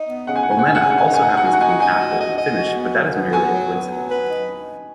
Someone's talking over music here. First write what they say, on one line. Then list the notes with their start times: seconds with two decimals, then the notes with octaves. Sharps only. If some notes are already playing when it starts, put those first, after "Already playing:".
"Omena" also happens to mean "apple" in Finnish, but that is merely a coincidence.
Already playing: D#4
0.08 B3
0.27 C#3 F#5
0.36 G#5
0.43 F#5
0.47 C#3 G#5
0.59 F#5
0.66 D#4 G#5
0.75 F#5
0.82 G#5
0.85 C#3
0.90 F#5
0.98 G#5
1.04 D#4 F#5
1.14 G#5
1.21 D#4 F#5
1.29 G#5
1.37 F#5
1.42 F#4 G#5
1.53 F#5
1.61 D#4 G#5
1.69 F#5
1.80 D#5 G#5
1.99 F#4
2.18 D#5
2.37 D#5
2.57 F#4
2.76 B3
2.94 F#3
3.14 B3
3.32 F#4 G#5
3.51 F#3
3.70 B3
3.90 F#3
4.09 B4
4.28 D#4